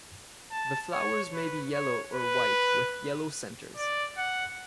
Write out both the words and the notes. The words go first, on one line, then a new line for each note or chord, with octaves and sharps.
The flowers may be yellow or white with yellow centers.
A5
C#5
B4
C#5
B4
D5
F#5